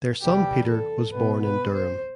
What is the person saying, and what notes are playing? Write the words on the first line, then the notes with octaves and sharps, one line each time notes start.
Their son Peter was born in Durham.
E2 C3 E3 G3 G4
A4
B2 B3 B4
B4
C5